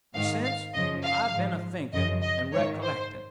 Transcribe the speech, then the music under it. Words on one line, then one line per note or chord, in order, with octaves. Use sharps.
But sence, I've been a-thinkin' an' recollectin'.
G#2 D#3 F5
F5
F#2 C#3 F3 D#5
F5
G#2 F3
F#2 C#3 F3 D#5
D#5
G#2 D#3 C#5
C5